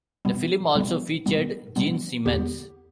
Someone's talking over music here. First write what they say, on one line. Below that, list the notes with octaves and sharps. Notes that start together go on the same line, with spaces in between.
The film also featured Gene Simmons.
B2 G3 B3
B2 G3 B3
B2 G3 B3
B2 G3 B3
E2 D3 B3 G4